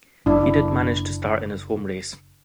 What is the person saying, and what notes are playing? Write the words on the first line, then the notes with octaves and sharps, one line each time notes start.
He did manage to start in his home race.
F#1 D4 E4